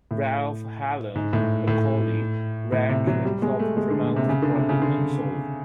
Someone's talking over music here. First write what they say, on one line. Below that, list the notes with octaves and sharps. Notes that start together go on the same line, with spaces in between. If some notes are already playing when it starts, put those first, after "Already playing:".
Ralph, Hallam, Macaulay, Ranke, and Klopp pronounce the problem unsolved.
A2
G#2
A2
A2
A2
C3
F#3
G3
G#3
A3
G#3
D3
A#2
C3
C#3
D3
C3
C#3
D3